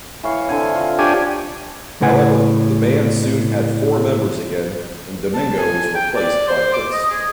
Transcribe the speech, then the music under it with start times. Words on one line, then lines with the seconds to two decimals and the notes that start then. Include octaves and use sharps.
However, the band soon had four members again when Domingo was replaced by Chris.
0.23 E3 C#5 F5
0.49 D3 C4 G#5
0.75 F4
0.99 D4 F4 G4 C#5 G#5
2.01 A2 C#3 B4 F#5 G#5
5.34 A5
5.58 G#5
5.95 G5
6.16 D5
6.48 C5
6.74 D6
6.93 D#5
7.11 G#4